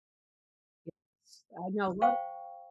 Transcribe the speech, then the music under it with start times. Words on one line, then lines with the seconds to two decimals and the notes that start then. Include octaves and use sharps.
Yes. I know lotta
2.02 C5 F5 G5 C#6